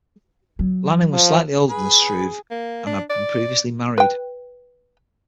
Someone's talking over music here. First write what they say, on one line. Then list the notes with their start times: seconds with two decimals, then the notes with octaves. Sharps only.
Lanning was slightly older than Struve and had been previously married.
0.59 F#3
1.13 F3
1.70 G#4 B4 B5
2.51 A#3
2.87 D4
3.10 D5
3.98 B4 G5